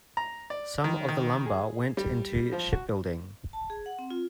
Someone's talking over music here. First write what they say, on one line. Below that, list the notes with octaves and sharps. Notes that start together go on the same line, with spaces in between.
Some of the lumber went into shipbuilding.
A#5
D5
D#3
D#3
G#4
G3
F3
F#4
A5
G#4
F#5
C4
F4